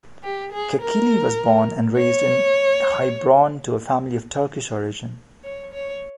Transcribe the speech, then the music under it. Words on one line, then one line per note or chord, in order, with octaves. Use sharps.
Kekilli was born and raised in Heilbronn, to a family of Turkish origin.
G4
G#4
A#4
C#5
C#5
C#5